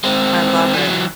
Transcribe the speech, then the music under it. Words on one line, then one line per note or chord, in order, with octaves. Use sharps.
I love it.
G#3 C4
E3 F#3